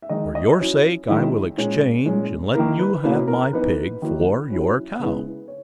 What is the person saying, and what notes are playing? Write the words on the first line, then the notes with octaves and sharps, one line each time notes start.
"For your sake, I will exchange, and let you have my pig for your cow."
E5
D#3 G#3 D#4 D#5
D#5
F#3 C#4 E4
D#3 G#3 C#4 E4
A#2 G#3 C#4
A#2 G#3 C#4
D#3 A#3 E4 A#4
B4
B2 A#3 C#4 E4 B4
A#4
E3 B3 D#4 B4
D#3 F#3 A#3 E4
F#3 C#4 E4
C#3 G#3 B3 E4
C#5